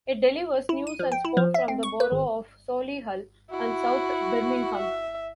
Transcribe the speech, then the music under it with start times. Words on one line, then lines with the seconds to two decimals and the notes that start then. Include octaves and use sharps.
It delivers news and sport from the borough of Solihull and south Birmingham.
0.69 E4
0.87 D#7
0.99 F3
1.12 G5
1.25 E4
1.37 F3
1.54 E5
1.68 C4
1.83 C#6
2.00 B4
2.12 G#1
3.51 E4 F#4
4.77 E5